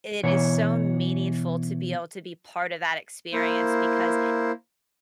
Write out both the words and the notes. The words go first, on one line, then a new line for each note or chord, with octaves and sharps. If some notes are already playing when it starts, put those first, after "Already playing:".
it is so meaningful to be able to be part of that experience, because
B2 E3 C#5
A#3 E4 C5